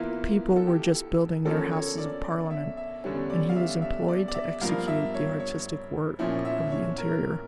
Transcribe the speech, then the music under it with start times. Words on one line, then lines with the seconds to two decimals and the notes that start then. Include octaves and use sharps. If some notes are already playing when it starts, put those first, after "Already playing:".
The people were just building their Houses of Parliament, and he was employed to execute the artistic work of the interior.
Already playing: E2 E3 A#3 E4 F4
0.56 A4
0.67 G4
1.45 D3 F3 A#3 C#4 A4
1.71 C#5
1.98 D5
2.24 D5
2.51 E5
2.77 E5
3.04 E2 D3 G3 C#4
3.30 D5
3.49 F5
3.56 E5
3.82 E5
4.08 D5
4.28 D5
4.35 E5
4.61 G2 F3 A#3 F5
4.88 E5
5.14 C#5
5.40 C#5
6.19 A#2 F3 C#4 E4
6.45 E5
6.72 C#5
6.98 A#4